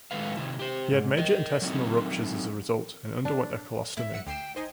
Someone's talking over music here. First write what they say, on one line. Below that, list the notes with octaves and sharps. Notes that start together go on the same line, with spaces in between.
He had major intestinal ruptures as a result, and underwent a colostomy.
A2 D#3 G#3 A3 B4 F5
C3 D#3 E4
G4 C5
G#2
A#4 D#5
F#3 A3 C4 C#4 D#4 E4
D4
A2 E5
F#5 E6 C#7
D2 G5 C7 E7
D#4 C5 D#5 G#5